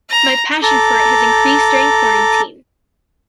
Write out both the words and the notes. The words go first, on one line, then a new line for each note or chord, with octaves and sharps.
My passion for it has increased during quarantine.
A#5
A4 A#5 D6